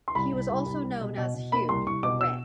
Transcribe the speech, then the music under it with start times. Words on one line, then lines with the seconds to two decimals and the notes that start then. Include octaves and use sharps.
He was also known as Hugh the Red.
0.08 C6
0.15 C2 B5
0.32 C2
0.50 C2
0.66 C2
0.84 G3
1.01 B2
1.17 B2
1.35 B2
1.52 A#3 B5
1.69 C2 C6
1.86 C2 C#6
2.03 B2 D6
2.21 E6